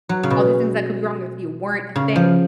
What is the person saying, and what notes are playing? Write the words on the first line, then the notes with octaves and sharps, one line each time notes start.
All these things that could be wrong with you weren't a thing.
F#3
C#3
B2
C#3
F3